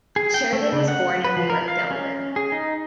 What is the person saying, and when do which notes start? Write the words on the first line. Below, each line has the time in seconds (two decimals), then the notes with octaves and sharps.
Sheridan was born in Newark, Delaware.
0.16 G#4
0.34 G5
0.53 A3
0.72 C#3
0.88 F#5
1.24 B4
1.36 F3
1.50 A#4
1.68 F5
1.91 C#4
2.36 G#4
2.52 D#4